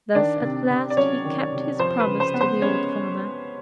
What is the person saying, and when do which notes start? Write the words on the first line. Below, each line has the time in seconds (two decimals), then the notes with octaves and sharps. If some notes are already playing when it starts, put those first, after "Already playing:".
Thus at last he kept his promise to the old farmer.
0.15 D#3 D4 D5
0.42 C3
0.70 C3
0.90 D5
0.97 F#3 C#4 C#5
1.25 D#3
1.52 C3
1.79 F3 C5
2.00 B4
2.07 C#3
2.20 C5
2.34 B3
2.41 C5
2.62 G#3 C#4 C#5